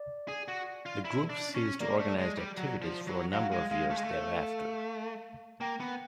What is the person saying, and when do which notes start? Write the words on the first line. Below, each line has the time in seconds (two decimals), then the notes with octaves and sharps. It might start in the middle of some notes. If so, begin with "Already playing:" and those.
The group ceased organised activities for a number of years thereafter.
Already playing: D5
0.28 G#4
0.48 F#4
0.86 F4
1.05 E4
1.30 D4
1.55 C#4
1.80 A#3 D5
1.99 A3
2.18 G#3
2.37 G3
2.57 F#3
2.82 F3
3.07 F#3
3.33 F#3 F5
3.52 G#3
3.71 G#3 F5
3.90 A3
3.98 G#3
4.04 A3
5.61 A#3 G5
5.80 B3